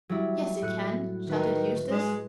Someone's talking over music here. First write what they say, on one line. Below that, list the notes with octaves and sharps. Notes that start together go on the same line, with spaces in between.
"Yes, it can," shouted Eustace.
F#3 G3 E4
A2 F#6 C#7
D#3 B4
G#3